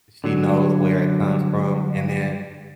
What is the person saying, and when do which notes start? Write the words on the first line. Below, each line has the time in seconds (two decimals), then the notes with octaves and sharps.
she knows where it comes from, and then
0.24 D3 F#3